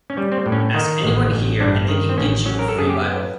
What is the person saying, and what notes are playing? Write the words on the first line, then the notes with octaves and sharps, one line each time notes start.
Ask anyone here and they can get you a free bible.
C#4
G3
C4
A2
C#4
D#3 D#4
A1
A1
G2 D4
D#3
C4
A1 C#4
F#3 C#4
A#4
A4
F#2 G#4
G4
B3